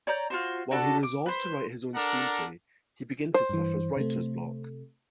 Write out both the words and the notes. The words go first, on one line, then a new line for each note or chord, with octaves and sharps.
While he resolves to write his own screenplay, he begins to suffer writer's block.
C#5 D5 A#5 G6
F4 F#4 C5
D4 F#4 A4 A5
D6
B4 C5
D4 A4 A#4 F#5 A#5
C5
G2 E3
C3 A3